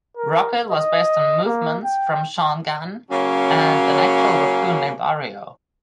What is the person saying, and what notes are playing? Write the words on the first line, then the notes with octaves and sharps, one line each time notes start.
Rocket was based on movements from Sean Gunn and an actual raccoon named Oreo.
A#4
D#5
A#3
G5
C#3 F#3 A#3 C#4